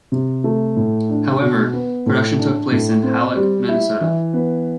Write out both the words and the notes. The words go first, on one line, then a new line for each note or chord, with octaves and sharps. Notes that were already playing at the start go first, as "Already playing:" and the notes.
However, production took place in Hallock, Minnesota.
C3
A3
A2
D4
B2
B3
A2
D4
A2
C4
G3
E4
E3
B3